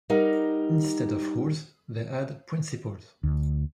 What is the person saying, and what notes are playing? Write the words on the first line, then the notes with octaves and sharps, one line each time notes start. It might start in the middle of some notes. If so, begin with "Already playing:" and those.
Instead of rules, they had principles.
G3 D#4 A#4 F#5
D2